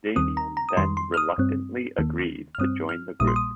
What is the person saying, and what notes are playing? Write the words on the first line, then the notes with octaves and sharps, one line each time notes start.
Damian then reluctantly agrees to join the group.
D#2 D#3 G3 C4 D#6
A#5
A#5
D#6
F2 D#3 G3 C6
C6
F6
D#6
G2 G3 C4
D#2 D#3 A#3
F6
G2 G3 C4 D#6
F6
A#1 A#2 G3 A#3 D#6
C6
D#6